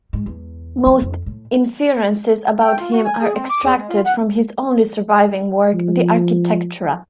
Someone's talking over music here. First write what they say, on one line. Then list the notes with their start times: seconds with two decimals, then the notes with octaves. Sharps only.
Most inferences about him are extracted from his only surviving work "De Architectura".
0.13 G#2
0.26 E2
0.86 F3
1.02 F2
1.26 A2
2.60 G5
2.78 F4
2.92 F#4
3.05 G#5
3.21 G#4
3.34 C4
3.50 D6
3.64 E2
3.76 G#3
3.89 F4
4.05 F#5
5.74 F3